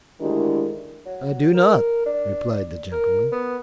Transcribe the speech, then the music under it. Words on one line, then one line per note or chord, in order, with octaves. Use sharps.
"I do not!" replied the gentleman.
D2 D#3 G#3 D4 E4 G4
F#3
A#4
D4
A#4
B3